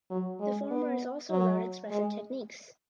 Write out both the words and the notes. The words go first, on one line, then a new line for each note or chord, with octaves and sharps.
The former is also about expressive techniques.
F#3
G#3
B3
F#3
G#3